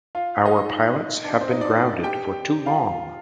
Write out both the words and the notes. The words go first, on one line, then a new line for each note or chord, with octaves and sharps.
Our pilots have been grounded for too long.
F4 F5
D#4 D#5
D4 D5
C4 C5
D#4 D#5
D4 D5
G4 G5
F4 F5